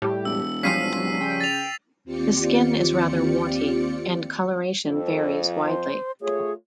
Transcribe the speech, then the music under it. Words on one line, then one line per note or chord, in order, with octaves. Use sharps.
The skin is rather warty and colouration varies widely.
A2 G3 G4
E1 E6
F3 G3 C#4 F5 B6 C7 D#7
F#3
C#3 G5
A6 F7
D#2 C4 F4 G4 D5 C#7
F2 F3 A4
C5
A3 F4 G#4 C#5